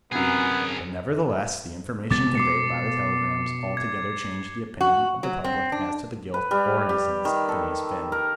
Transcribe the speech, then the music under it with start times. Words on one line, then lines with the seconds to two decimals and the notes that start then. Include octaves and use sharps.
But nevertheless the information conveyed by the telegrams altogether changed the opinion of the public as to the guilt or innocence of Phineas Finn.
0.12 F#2 C3 B3 G#4 A#4
2.11 B2 G#3 B3 D6 A6
2.35 D6 C7 C#7
3.77 G#6
4.81 F#4
5.23 F#3
5.44 C4
5.72 D4
6.34 B4
6.51 G3
6.89 G4
7.25 D#3
7.49 A4
8.12 A#4